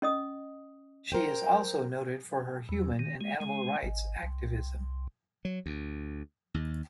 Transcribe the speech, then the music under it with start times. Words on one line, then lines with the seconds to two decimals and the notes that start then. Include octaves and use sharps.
She is also noted for her human and animal rights activism.
0.02 C#4 D#5 D#6
1.12 A#4 C5 G5
2.69 E2
2.99 D#3
3.21 G#3
3.40 G#3
3.83 G#1
4.23 C2
5.45 F#3
5.66 D2
6.54 D#2